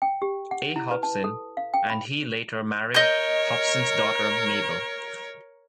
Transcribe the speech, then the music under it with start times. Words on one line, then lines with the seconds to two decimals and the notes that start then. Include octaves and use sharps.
A. Hobson, and he later married Hobson's daughter Mabel.
0.02 G5
0.22 G4
0.51 F#5
0.76 E4
0.91 B4
1.03 A5
1.24 A4
1.57 F5
1.74 G5
1.90 B5
2.94 A#4 C#5 D#5 G6